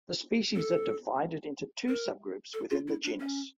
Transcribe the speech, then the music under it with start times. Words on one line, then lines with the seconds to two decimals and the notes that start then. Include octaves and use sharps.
The species are divided into two subgroups within the genus.
0.56 A4
1.89 A#4
2.54 A4
2.70 F4
2.88 E4
3.04 D4
3.20 C#4